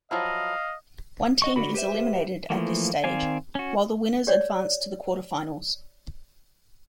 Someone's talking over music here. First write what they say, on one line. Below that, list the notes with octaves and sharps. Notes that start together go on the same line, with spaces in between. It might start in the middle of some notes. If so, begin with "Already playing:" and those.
One team is eliminated at this stage, while the winners advance to the quarter-finals.
F3 F#3 E4 D#5 F5
F#4 D#5 C#6
D3 F#4 B5
G4 B4 C5 E5
E3 F3 A3 A#3
D#3 C4 D5 F5 G#5
C#4 F#4
G4 C#5 D5